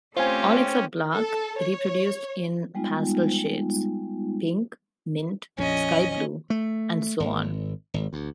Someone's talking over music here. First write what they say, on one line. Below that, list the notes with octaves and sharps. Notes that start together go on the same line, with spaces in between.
All except black reproduced in pastel shades: pink, mint, sky blue, and so on.
A3 C4 C#4 F4 G4 C5 G#5
A4
C#5
G3 G#3 B3 D#4 F4
A#1 F2 C#4 D#5
A3
G#1
G#1
D2